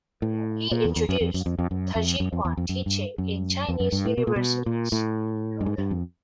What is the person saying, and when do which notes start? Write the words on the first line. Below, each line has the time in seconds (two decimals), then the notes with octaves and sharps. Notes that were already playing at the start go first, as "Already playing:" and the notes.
He introduced Taijiquan teaching in Chinese universities.
0.22 A2
0.71 A#2
0.85 E2
0.96 E2
1.09 F#2
1.21 F2
1.34 F#2
1.46 F2
1.59 F2
1.71 F#2
1.95 F2
2.20 F#2
2.33 F2
2.45 E2
2.57 F2
2.69 F#2
2.86 G2
3.18 F#2
3.68 F2
3.80 F#2
3.92 G2
4.05 A2
4.18 B2
4.27 A#2
4.36 B2
4.66 A#2
4.92 A2
5.61 G2
5.66 G#2
5.78 G2
5.91 F2